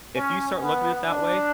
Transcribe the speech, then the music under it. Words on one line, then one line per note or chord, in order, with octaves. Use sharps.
if you start looking at that way,
C#4
B3
D4